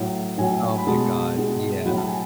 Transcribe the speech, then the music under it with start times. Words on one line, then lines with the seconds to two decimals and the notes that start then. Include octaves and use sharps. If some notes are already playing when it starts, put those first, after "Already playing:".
Oh my god. Yeah.
Already playing: A2 F#3
0.38 A2 F#3 G#5
0.77 B5
0.87 B2 G#3 A5
1.37 B2 G#3
1.85 A2 F#3 B5
1.97 A5
2.08 G#5